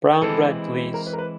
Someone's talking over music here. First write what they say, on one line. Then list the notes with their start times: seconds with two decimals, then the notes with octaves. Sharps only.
Brown bread, please.
0.21 E3 G#3 C4 E4 G4 A4
0.94 A#4
1.07 B4
1.13 A#4
1.18 B4